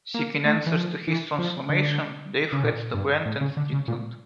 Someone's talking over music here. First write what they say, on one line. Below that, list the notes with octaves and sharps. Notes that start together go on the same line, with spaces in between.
Seeking answers to his transformation, Dave heads to Grant and Strictland.
A#3
A3
E3
F3
E3
F3
D3
C#3
A#2
G2
A2
C#3
D3
C#3
A#2